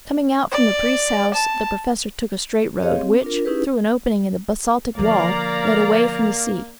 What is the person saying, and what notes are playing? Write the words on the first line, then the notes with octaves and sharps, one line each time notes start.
Coming out from the priest's house, the Professor took a straight road, which, through an opening in the basaltic wall, led away from the sea.
D5
A5
C4 G4 G#4 C#5 D#5 F5
C4
D4 F4 A#4
C#4 D#4 E4 G4 G#4 B4
D3 F3 A#3 D5 F5 A#5